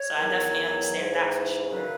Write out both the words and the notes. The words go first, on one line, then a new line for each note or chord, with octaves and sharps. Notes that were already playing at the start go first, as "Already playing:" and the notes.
so I definitely understand that for sure.
Already playing: C#5
E2 D#3 F#3
G#2 E3
F#2 C#3 F#3 B4